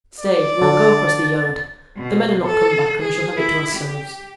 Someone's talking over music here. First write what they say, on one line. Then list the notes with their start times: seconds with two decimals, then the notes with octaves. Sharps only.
Stay, we'll go across the yard; the men are not come back, and we shall have it to ourselves.
0.20 D5
0.62 D3 A6
1.97 B2
2.47 A4
3.00 G#4
3.36 E4
3.76 G4